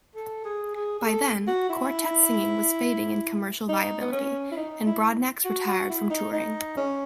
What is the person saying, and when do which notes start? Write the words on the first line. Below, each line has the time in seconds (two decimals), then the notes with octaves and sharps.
By then, quartet singing was fading in commercial viability, and Broadnax retired from touring.
0.16 A4
0.44 G#4
0.75 G#4
0.99 G#4
1.04 A4
1.47 F#4
1.69 E4
3.69 D#4
4.01 B3
4.12 C#4
4.52 E4
4.57 D#4
4.86 E4
5.45 F#4
5.67 F#4
5.89 E4
6.10 D#4
6.33 D#4
6.77 C#4